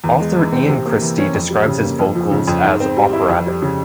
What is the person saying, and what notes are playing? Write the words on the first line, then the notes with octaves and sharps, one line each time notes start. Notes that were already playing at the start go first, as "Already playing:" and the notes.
Author Ian Christe describes his vocals as operatic.
E2
G#3
E3
C4
C3
A#3
E3
C#4
F2
G3
C#3
A#3
F2
F3
C#3
F2
G#2
C4
G3
E4
F2
G3
C#3